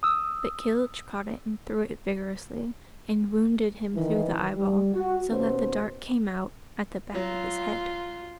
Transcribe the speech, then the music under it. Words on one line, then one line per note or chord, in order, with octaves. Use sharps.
But Kilhuch caught it and threw it vigorously, and wounded him through the eyeball, so that the dart came out at the back of his head.
D#6 E6
D#3 E3
G3
F#4
D#2 B2 B3 C#4 C5
F#3 F4